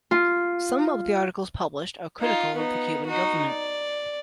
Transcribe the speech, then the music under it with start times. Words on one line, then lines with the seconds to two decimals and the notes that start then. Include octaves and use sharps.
Some of the articles published are critical of the Cuban government.
0.11 F4
2.21 D#4 F4
2.54 B3 D#4
3.06 D#4 F#4
3.47 D5